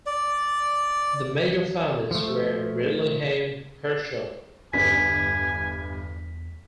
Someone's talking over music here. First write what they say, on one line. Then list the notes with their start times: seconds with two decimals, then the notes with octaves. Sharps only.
The major founders were Ridley Haim Herschell,Rev.
0.06 D5
2.11 F3 A3
4.73 G1 E2 G2 G#5 B6